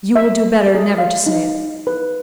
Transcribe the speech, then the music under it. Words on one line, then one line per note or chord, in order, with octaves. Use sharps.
"You will do better never to say it."
E5
G#4
F5
D#4
B4